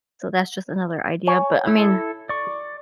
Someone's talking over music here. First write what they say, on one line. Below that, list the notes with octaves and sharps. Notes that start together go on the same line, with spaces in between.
So that's just another idea, but I mean
C#5 G#5
E4 A4
D5 C#6